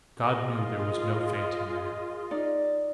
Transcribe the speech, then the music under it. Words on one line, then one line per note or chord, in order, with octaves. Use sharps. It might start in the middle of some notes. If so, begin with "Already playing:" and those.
God knew there was no phantom there!
F4 G#4 A#4 D#5
D#4 D5